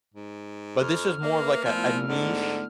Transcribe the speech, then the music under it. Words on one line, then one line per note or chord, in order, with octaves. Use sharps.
but this was more of, like, a a niche
G#2
F2 F6
A#3 B4 E5
A#2 F3 A3 B3 E4
G#2 D3